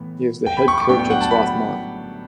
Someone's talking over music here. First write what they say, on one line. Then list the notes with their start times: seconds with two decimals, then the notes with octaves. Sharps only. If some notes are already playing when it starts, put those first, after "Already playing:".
He is the head coach at Swarthmore.
Already playing: A2 E3 B3
0.46 G5
0.57 B5
0.68 C#6
0.78 D6
0.89 A2 F#3 B3 D4 G5
0.99 G5
1.10 F#5
1.21 A5
1.31 B5